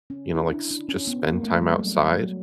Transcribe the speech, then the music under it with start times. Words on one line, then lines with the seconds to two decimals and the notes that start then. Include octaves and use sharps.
you know, like, s just spend time outside,
0.10 C#4
0.34 E4
0.52 D4
0.71 D4
0.89 C#4
1.07 B3
1.25 A#3
1.44 A3
1.62 G3
1.80 F#3
2.16 F#3